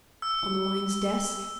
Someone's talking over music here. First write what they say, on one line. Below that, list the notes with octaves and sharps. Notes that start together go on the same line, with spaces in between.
"On Lyne's desk?"
E6